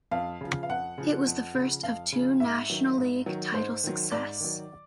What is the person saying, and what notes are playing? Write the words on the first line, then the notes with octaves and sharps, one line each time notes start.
It was the first of two National League title success.
F2 F5
C#3 F3
F5
F2 F#5
C#3 F3
F2
C#3 F3
F2 F5
C#3 F3
G#2 E5
D#3 F#3
G#2
D#3 F#3
G#2 C5
D#3 F#3
G#2 D5
D#3 F#3